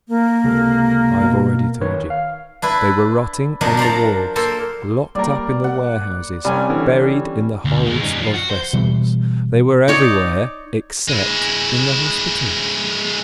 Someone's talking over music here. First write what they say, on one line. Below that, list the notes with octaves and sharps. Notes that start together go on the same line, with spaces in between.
I have already told you; they were rotting on the wharves, locked up in the warehouses, buried in the holds of vessels; they were everywhere except in the hospitals.
A#3
C#2 C3 A4
B2
D#3 B4 C#5
F5
D4 E4 B4
F3 F#3 D4 D#4 A#4
D4 C5 D5 A#5
A#3 A4 A#4 C5
C6
G3 A#3 A#4 D5
F#5
C2 G3 C4 C#4 G#5
D3 E3
D2
D#3 G#3
G3 D#4
F3
F#4
C5
B2 E3 G3
D#4 C#5 D5
G#3 E4